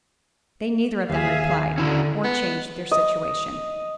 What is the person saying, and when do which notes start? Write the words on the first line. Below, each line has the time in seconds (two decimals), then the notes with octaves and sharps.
They neither of them replied, or changed their situation.
1.10 D#2 G#4 E5 F5
1.78 D3 C#4 E4 F#4
2.24 B3
2.91 D#5